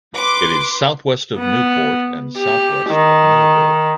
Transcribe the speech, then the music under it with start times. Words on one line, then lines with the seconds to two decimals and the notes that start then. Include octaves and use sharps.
It is southwest of Newport and southwest of Millville.
0.15 B4 C6 D6
1.38 B3
2.37 G4
2.90 D#3